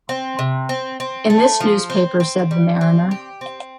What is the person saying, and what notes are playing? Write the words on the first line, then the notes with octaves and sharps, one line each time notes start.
"In this newspaper," said the mariner.
C4
C3
C4
C4
A3
F3
C4
C4
G3
C4
G4
C4